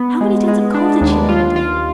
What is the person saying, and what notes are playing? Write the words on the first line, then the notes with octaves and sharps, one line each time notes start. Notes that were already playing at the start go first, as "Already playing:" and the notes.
How many tons of coal did she burn a day?
Already playing: B3
G#3
G#3
D4
D#2
F4
F4